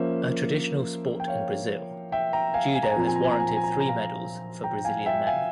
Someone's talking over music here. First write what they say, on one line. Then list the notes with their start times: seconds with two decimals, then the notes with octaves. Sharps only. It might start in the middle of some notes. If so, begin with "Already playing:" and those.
A traditional sport in Brazil, Judo has warranted three medals, for Brazilian men.
Already playing: F3 A#3 C#4 C5 E5
1.20 G5
1.28 C#5 F5
2.12 E5 G5
2.33 G5 A#5
2.54 F5 G#5
2.75 G#5
2.83 A#5
2.91 G#5
2.96 A#2 F3 C4 A#5
3.07 G#5
3.16 A#5
3.24 G#5
3.32 A#5
3.40 G#5
3.48 A#5
3.56 G#5
3.64 A#5
3.72 G#5
3.80 A#5
3.88 F5 G#5
4.64 G5 A#5
4.84 F5 G#5
5.06 E5 G5
5.27 F5 G#5